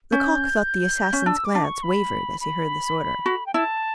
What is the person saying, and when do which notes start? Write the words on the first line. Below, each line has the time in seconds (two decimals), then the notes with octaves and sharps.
Lecoq thought the assassin's glance wavered as he heard this order.
0.11 C#4 G6
1.13 C#4
1.26 D4 E6
1.45 D6
1.55 D4
1.64 C#6
1.83 B5
2.41 B5
3.26 F#4
3.46 G5
3.54 E4 A5